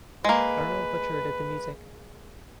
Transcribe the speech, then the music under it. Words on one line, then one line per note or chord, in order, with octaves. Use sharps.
Arnold Butcher did the music.
G#3 A#3 B4